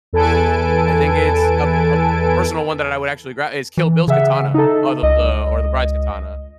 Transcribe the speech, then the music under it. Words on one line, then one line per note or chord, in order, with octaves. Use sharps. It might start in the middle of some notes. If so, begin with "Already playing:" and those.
I think it's a p a p a personal one that I would actually gra is Kill Bill's katana or the the or the bride's katana.
E2 A4 B4 G#5 A5 D7
E3
C#3 G#4 E5 F#5
D#4 A4
C#2 D#5